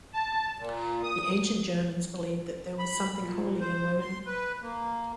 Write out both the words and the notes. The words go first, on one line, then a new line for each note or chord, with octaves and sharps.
The ancient Germans believed that there was something holy in women.
A5
A#2
D#6
B5
A#2
C5
C6
B4
A#3